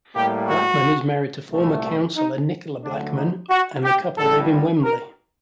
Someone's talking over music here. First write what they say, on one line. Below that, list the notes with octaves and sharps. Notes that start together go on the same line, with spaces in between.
Blackman is married to former councillor Nicola Blackman, and the couple live in Wembley.
A2 G3 A#3 G4
F#4
C2 A#2 A3
D#4
D2 D3 F#3 A3 D4
D#4
F#4
G4
A1 A2 G3 A4
A#4